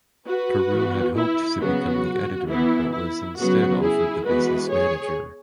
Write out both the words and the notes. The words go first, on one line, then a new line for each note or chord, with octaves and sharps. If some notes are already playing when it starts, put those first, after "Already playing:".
Carew had hoped to become the editor but was instead offered the business manager.
F#4 B4
E3 B3
E4
C#3 F#3 B3 F#4
E3 B3 E4
E4
C#3 F#3 B3 F#4
E4 G#4
E3 G#3 B3 F#4 B4
G#4 C#5